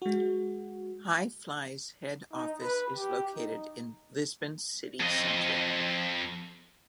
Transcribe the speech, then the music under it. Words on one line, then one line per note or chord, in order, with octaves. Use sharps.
Hi Fly's head office is located in Lisbon's city centre.
G#3 F#4
D#4
B4
G4
D#4
F2 D#5